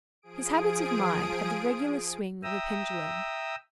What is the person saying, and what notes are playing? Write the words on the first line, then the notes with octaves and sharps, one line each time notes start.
His habits of mind had the regular swing of a pendulum.
F3 G#4 D#6 D7
E5 G5 A#5 D#6 E6